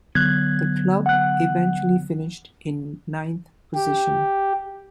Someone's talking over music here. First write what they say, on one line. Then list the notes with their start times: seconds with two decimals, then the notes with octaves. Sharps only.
The club eventually finished in ninth position.
0.15 D3 F#3 B3 F#6 G#6
1.06 F#5 F#6
3.75 G4